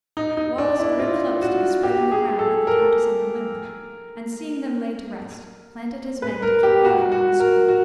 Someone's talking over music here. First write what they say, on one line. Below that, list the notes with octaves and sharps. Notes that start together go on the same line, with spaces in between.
Wallace ordered cloaks to be spread on the ground for the countess and her women; and seeing them laid to rest, planted his men to keep guard around the circle.
D#4
D#4
D4
E4
F4
F#4
G4
G#4
A4
A#4
B4
A#4
G4
F#4
F#4
A#4
F#4